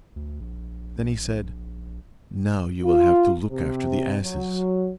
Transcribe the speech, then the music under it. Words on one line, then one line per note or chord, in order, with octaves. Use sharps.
Then he said, 'Now you will have to look after the asses.'
D2
A#1
F4
C3
F#3